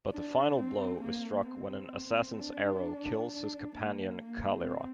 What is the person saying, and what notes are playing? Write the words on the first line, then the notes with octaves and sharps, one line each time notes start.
But the final blow is struck when an assassin's arrow kills his Companion Kalira.
D4
C4
A#3
C4
D4
D4
A#3
A#3
C4